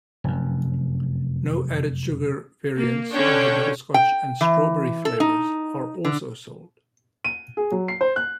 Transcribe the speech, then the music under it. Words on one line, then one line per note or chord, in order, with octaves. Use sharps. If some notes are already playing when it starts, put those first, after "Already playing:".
No-added-sugar variants of the butterscotch and strawberry flavours are also sold.
F1 F#2
A#3
D3 C#4 D4 C#5 G5
G5
E3
A4
D#4
D3
D#7
G#4
F#3
C7
C5
F#6